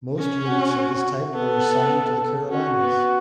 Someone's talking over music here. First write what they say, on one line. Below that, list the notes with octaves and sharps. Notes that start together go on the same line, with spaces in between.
Most units of this type were assigned to the Carolinas.
C#4
F#4
B3 A4
C#4 F#4
B3